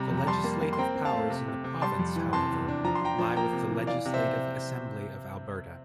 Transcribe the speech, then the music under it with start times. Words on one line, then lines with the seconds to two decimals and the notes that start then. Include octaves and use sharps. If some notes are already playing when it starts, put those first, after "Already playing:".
The legislative powers in the province however, lie with the Legislative Assembly of Alberta.
Already playing: C3 G3 A#5
0.11 F2
0.17 A#5
0.27 G3 A5 C6
0.44 A#3
0.61 A#3
0.73 C6
0.78 C4 G5 A#5
0.95 C4
1.05 F5 A5
1.13 A3
1.30 C3
1.48 C3
1.64 C3
1.81 G3 A5 C6
1.99 F2
2.16 E3
2.33 C3 A5 C6
2.51 E2
2.68 D4
2.84 F3 A#5
2.95 C6
3.01 F3 G5 A#5
3.19 F3
3.36 A#3 G5 A#5
3.53 C3
3.71 E3
3.87 E3 D5 F5
4.05 C3
4.14 C5 E5